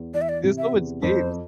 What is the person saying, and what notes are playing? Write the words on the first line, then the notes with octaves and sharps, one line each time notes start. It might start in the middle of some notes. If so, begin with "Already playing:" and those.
There's so much games.
Already playing: E2
E3 D5
E5
D5
C3
E5
E2
F2 C5